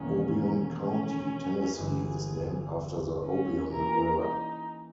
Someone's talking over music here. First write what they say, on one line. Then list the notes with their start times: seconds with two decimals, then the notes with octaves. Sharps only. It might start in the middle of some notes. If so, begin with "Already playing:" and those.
Obion County, Tennessee, is named after the Obion River.
Already playing: E1 E2 D#3 A#3 C#4
0.80 C#4
1.78 G1 G2 E3 G#4
3.25 C#4
3.72 C#3 E3 A#3 E4 A#4
4.22 D#4